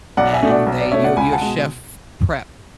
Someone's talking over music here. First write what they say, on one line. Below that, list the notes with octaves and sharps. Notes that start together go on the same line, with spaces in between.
and they you're you're chef prep.
B1 D5 F#5
E5 G#5
B2 A3 D4
D5 F#5
B1
D5
B2 A3 D4 C#5 E5
D5 F#5
C#2 G#5 B5
F#5 A5
B2 G#3